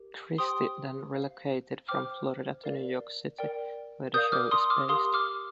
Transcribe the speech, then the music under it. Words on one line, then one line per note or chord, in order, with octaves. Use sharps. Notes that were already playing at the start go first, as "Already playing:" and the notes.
Christy then relocated from Florida to New York City, where the show is based.
Already playing: G4 A#4
G4 C5 G5 C6 D#6
C5 F5
C5 G5 D6 F6
A#4 D5 F5
A#4 D5 G5
A#4 D5 F5 D#6 G6
D6 F6
C6 D#6
D6 F6
G4 A#4 F5 C6 D#6
D6 F6